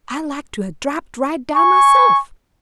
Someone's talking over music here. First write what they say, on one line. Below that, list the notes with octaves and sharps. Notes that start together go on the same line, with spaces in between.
I like to 'a' drapped right down myself!
G#5 C#6